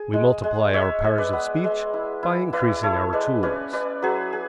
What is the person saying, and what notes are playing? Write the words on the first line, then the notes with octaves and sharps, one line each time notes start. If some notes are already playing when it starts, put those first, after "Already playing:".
We multiply our powers of speech by increasing our tools.
Already playing: G#4
G#3
G#3
G#3 C#5 E5
G#3
B4 D5
B3
G#3
E4
E4
E4 B4 D5
E4 A4 C#5
G#3 B4 D5
C#4 B4 D5
C#4 B4 D5
F#3 G#4 B4
G#4